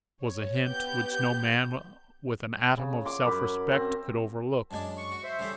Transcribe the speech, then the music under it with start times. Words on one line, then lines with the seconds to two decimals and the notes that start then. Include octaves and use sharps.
It was a hint which no man with an atom of self-respect could overlook.
0.22 C#5
0.64 B3 G4 G6
2.77 C#3
3.05 C6 D6
3.25 F#2 B5
3.71 C4
4.71 F#2 G#3 D4 A5
4.97 C#6
5.12 F#4
5.24 C5 E5
5.39 C#3 G3 A4